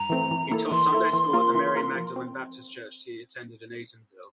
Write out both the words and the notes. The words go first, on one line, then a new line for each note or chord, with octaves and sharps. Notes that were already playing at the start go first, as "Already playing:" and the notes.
He taught Sunday school at the Mary Magdalene Baptist Church he attended in Eatonville.
Already playing: G2 A#5
E3 A3 C4
E3
A#3 E4 A4
E3 C6
A#3 E4 A4
E3
A#3 F4 A#4
E3
A#3 F4 A#4
F3
C4